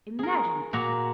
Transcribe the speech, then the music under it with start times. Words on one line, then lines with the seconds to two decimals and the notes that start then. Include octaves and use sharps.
Imagine it!
0.19 G#4 A#4
0.73 A#2 F#4 A#5